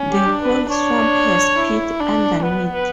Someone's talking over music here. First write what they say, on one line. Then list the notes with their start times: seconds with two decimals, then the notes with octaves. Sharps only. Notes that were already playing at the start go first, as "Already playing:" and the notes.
The whole swamp has peat underneath.
Already playing: C#4
0.12 G4
0.27 D4
0.42 B4
0.70 D4 C#5
1.56 E4
2.00 D4
2.43 B3 B4
2.71 B4